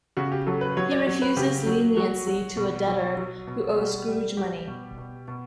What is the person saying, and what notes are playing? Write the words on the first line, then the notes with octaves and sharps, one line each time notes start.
He refuses leniency to a debtor who owes Scrooge money.
C#3 F#4
G4
F#3 A4
B4
F#3 C#5
D5
F#3 C#5
B4
C#3 G4
F#3
F#3 F#4
F#3
B2
F#3
F#3
B2
G3
G3
G3 G4
B2
B2
B2